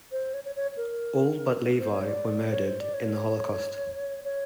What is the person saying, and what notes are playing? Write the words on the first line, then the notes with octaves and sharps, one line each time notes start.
All but Levie were murdered in the Holocaust.
C5
C#5
C#5
C#5
A#4
B4
C5
C#5
D5
C#5
C5
D5
C#5
C#5